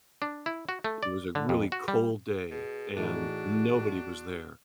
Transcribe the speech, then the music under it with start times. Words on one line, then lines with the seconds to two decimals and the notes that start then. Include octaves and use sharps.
it was a really cold day, and nobody was there,
0.22 D4
0.46 E4
0.69 F#4
0.84 A3
1.03 D5
1.35 D3
1.49 F2
1.72 F#4
1.88 G3
2.51 B2 G#4
2.97 A2 E3 D4 D#4 F#4